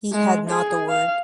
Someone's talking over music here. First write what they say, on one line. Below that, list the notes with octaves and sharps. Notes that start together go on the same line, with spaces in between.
He had not a word.
G#3
G#4
F5